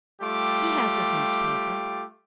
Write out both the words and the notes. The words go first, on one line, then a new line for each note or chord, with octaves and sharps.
He has his newspaper.
G3 A3 F4 G4 D6